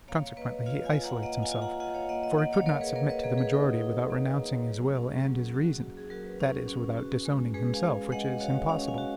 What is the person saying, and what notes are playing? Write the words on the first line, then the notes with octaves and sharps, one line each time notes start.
Consequently, he isolates himself; for he could not submit to the majority without renouncing his will and his reason,--that is, without disowning himself, which is impossible.
A#3 C#5 F5
A#3 B4 D#5
F4 C#5 F5
F5 G#5
F4
F#5 A#5
A#3 D#5 F#5
F5 G#5
F4
F#5 A#5
F4 D#5 F#5
C#5 F5
A#3 D#5 F#5
D#5 F#5
A#3 D#5 F#5
C#5 F5
A#3 A#4 C#5
G#4 B4
A#3 A#4 C#5
B4 D#5
A#3 G#4 B4
G#4 B4
D#4 G#4
D#4
A#3
A#3
F#3
C#4
F#3
F#4
F#4
G#4
F#3 F#4 A#4
G#4 B4
C#4
C#4
F#4
G#3
G#3 G#4 B4
F5 G#5
G#3
G#3 D#5 F#5
F#4 C#5 F5
C#4 C#5 F5
F5 G#5
F#4